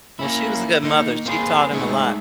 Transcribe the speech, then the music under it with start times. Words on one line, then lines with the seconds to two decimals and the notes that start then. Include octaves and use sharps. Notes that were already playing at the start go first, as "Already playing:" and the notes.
Yeah, she was a good mother, she taught him a lot.
0.19 A#3 C#4 E4
0.84 A#3 D#4
1.26 A#3 C4 F4 F#4 G#4 B4
1.73 G#3 A3 D#4 G#4 C#5 E5